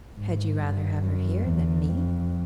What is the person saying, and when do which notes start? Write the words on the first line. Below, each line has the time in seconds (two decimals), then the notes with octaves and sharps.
"Had you rather have her here than me?"
0.15 G#2
0.58 G2
1.02 F#2
1.45 E2
1.89 F2